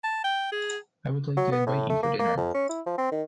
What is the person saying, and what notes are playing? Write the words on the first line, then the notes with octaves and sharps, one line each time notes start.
I would like to invite you for dinner.
A5
G5
G#4
F#3
B3
A2
A3
A#3
A#3
F2
C#4
E4
F3
C4
D#3